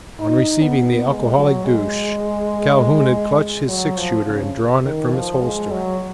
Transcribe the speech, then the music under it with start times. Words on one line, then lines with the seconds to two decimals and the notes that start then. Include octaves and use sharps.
On receiving the alcoholic douche, Calhoun had clutched his six-shooter, and drawn it from its holster.
0.20 D#4
0.62 B3
1.06 G#3
1.36 F#3
1.65 G#3
3.68 F#3
3.97 F3
4.26 C#3
4.83 D#3
5.13 F3
5.42 G#3
5.71 F#3